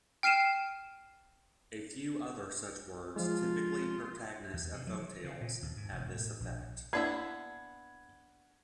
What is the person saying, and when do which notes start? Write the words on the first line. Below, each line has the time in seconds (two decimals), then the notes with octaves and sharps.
A few other such words, typically protagonists of folk-tales, have this effect.
0.23 G5 F6 C7 D#7 E7
3.16 F3 G#3 F4
4.54 E2
4.73 C3
4.87 F#3
5.00 E3
5.24 C#3
5.41 A#2
5.62 D#2
5.76 G#2
5.92 E1
6.15 A2
6.40 A#1
6.93 A#3 B3 D4 E4 E5 G#6